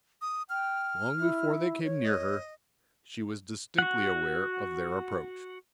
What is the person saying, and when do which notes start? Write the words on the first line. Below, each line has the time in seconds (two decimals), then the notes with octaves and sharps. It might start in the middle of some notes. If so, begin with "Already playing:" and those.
Long before they came near her, she was distinctly aware of their approach.
0.22 D#6
0.50 G5 F6
1.16 E4
1.84 C#5
2.03 D#5
3.78 F#4 F#5